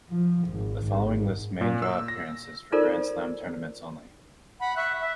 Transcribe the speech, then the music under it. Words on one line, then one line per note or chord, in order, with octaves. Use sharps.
The following lists main draw appearances for Grand Slam tournaments only.
F3
G#1
G#1
A#2
E6
A#6
D#4 F4 A4 A#4 C5 D5
F#5 B5
E5 C#6 F#6
E5